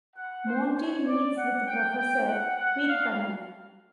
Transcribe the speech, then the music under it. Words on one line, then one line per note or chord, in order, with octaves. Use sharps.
Monty meets with Professor Pitkannan.
F#5
C5
C#5
D5
F#5
G5
G5
F#5
F#5
F5